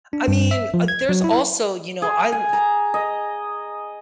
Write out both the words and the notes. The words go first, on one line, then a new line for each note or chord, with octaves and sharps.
I mean, uh, there's also, you know, I'll
D4
G2
E5
F3
G#6
F#3
E4
G#4
G#5
A#5
D#5